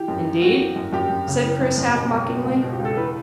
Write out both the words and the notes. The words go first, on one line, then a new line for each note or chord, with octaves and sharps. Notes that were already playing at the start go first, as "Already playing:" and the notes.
"Indeed?" said Chris half mockingly.
Already playing: E3 G4
F#2
E3
F#2 F#4
E3
F#2
F#2 G4
F#2
C#3
E3
F#2
F#2
B2
C#2
B2
C#2
B2
G4
C#2
A4
E2 B4